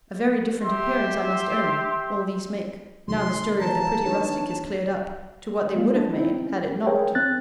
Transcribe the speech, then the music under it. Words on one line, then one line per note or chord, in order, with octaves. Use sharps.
A very different appearance, I must own, all these make, now the story of the pretty rustic is cleared up, to what they would have made, had it not.
G4 E5 C6
C3 D#3 F#3 C6
E3 A#3 A5 A#5
D4 D#4 C#5
G#3 A#3 F4
D4
C4 D#4 E4
C#4
G#4 A#4 C#5 G5
C4 F#6 A6